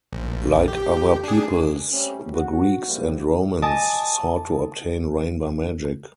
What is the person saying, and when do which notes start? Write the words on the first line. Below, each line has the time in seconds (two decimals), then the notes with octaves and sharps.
Like other peoples, the Greeks and Romans sought to obtain rain by magic.
0.12 A#1
0.68 G4
1.24 D4 G#4
1.91 G3 A3 C4 C#4
2.31 F#4
2.86 C2 A#2 F3 G3 A3 A#3
3.62 D#5 G#5 A5 D6 D#6